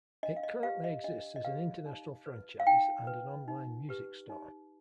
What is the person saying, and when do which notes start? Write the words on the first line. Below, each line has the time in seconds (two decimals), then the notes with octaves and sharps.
It currently exists as an international franchise and an online music store.
0.23 D4 D#5
0.36 F5
0.43 D#5
0.63 G4 B4 F5
0.84 D#5
1.04 D4 D#5
1.36 D#5
1.44 G4 B4 F5
1.86 D#4
2.26 B4
2.60 F5
2.67 D#4 G5
3.07 B4
3.48 D#4
3.89 G4 B4
4.29 D#4